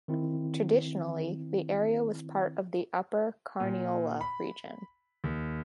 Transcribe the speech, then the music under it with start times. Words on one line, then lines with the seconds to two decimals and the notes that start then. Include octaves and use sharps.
Traditionally the area was part of the Upper Carniola region.
0.08 D#3 C4 E4
3.60 A#2
4.21 B5
5.24 D#2